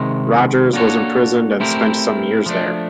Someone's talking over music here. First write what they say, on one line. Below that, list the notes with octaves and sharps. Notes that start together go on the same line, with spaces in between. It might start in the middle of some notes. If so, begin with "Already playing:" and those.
Rogers was imprisoned and spent some years there.
Already playing: C3 D#3 G#3
A#3 D4 F#4 A4 C#5
A3 C4 E4 G4 A#4
F3 A3 D4